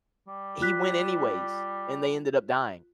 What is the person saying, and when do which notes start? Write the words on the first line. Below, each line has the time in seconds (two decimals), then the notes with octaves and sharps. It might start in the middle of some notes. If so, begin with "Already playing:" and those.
he went anyways, and they ended up dying.
0.27 G3
0.61 F4 F#6 B6